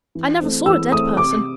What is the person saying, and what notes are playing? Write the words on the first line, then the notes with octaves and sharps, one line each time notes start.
'I never saw a dead person.
E3
A3 C4
E3 E6
A3 C4 D#6
C3 D6